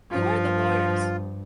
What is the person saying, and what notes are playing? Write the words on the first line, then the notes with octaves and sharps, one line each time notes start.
Who are the lawyers?
G2 F3 F4